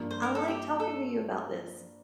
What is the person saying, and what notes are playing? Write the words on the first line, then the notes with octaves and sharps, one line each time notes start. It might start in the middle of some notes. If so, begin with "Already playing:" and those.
I like talking to you about this.
Already playing: G2 F3 A#3
C5
A#4
A4
G4
A4